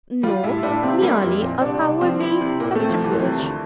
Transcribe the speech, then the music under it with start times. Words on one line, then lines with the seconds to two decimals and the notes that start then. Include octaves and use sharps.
No; merely a cowardly subterfuge.
0.23 G3 F4
0.44 A2 E4
0.63 A2 D4
0.83 C3 C4
1.02 G3 A#3
1.22 F2 A#3
1.42 A#2 C4
1.61 C2 D4
1.81 C2
2.01 F3 C4
2.20 E4
2.41 C3
2.60 A#2 A#3
2.75 A3 C4
2.89 F3
3.00 C2 E3
3.19 C3
3.39 D2